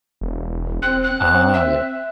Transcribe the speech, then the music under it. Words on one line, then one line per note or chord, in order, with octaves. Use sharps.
Ah, yeah.
E1
C4 F#6
F#6
C4
E5